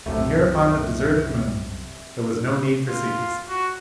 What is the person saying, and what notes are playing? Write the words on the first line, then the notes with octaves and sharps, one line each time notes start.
And here upon the deserted Moon there was no need for secrecy.
C2 F#2 C3 A3
F4
F#4